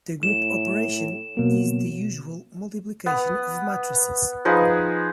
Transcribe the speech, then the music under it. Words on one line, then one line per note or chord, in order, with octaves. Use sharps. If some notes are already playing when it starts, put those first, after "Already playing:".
The group operation is the usual multiplication of matrices.
A2 E7
B2 F#3 A#3
B3
F3 D#4 G#4 B4